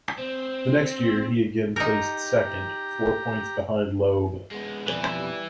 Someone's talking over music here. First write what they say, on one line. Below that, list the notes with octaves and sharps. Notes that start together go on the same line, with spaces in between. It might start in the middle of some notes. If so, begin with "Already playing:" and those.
The next year he again placed second, four points behind Loeb.
C4
D#4 G4 A#4 A#5
G#3 B3
F2 B2 E3 G3